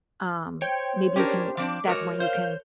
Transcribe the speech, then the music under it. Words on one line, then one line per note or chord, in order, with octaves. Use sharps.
Um, maybe you can that's when you can
C5 C#5 G5
C#4 D4 G4 A#4
F3 C4 D4 D6
G#3 F#4 A#4 C#5
C5 F5 G6